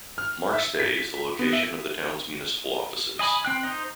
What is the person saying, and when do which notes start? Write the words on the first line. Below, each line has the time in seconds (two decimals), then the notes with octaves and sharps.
Markstay is the location of the town's municipal offices.
0.18 F6
0.53 E5
0.80 B6
1.39 B3
1.53 E5
3.19 D#5 G#5 B5
3.45 C4 G5 F#6
3.63 D#4 C5 D#5